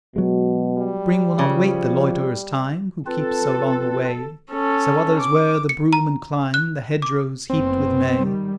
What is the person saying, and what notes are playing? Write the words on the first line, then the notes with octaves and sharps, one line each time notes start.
Spring will not wait the loiterer's time Who keeps so long away; So others wear the broom and climb The hedgerows heaped with may.
B2 F#3 G#3
G3
C#3 F3
C4 F4 A4 B4
C#4 A4
D6
C#7
A#5
F#6
D6
F#1 B3 C4
D#3 G3